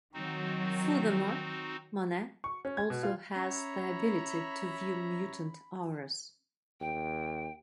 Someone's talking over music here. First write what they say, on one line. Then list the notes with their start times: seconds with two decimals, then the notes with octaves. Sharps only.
Furthermore, Monet also has the ability to view mutant auras.
0.14 D#3 F#3 C4 D#4 F#4
2.44 C#6
2.65 C#4
2.77 G#6
2.90 B2
3.03 F4
3.36 C#4 C#5 E5 A#5 B5
6.81 D#2 G5